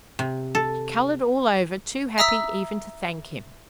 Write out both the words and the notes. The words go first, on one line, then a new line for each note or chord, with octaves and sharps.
She coloured all over; too happy even to thank him.
C3
A4
E5 A#5 D#6 E6 B6